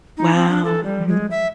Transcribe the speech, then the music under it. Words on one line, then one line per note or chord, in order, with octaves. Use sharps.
Wow, mhm.
D#4
C4
D4
A4
G3
G#3
E5